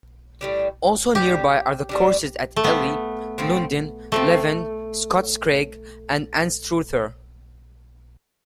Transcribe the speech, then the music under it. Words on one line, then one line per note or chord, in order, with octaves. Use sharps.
Also nearby are the courses at Elie, Lundin, Leven, Scotscraig and Anstruther.
A2 G3 D4
A2 G3 D4 G4
A2 G3 D4
A3
A2 F3 B3 C4
A2 F3 C4
A2 F3 A3 C4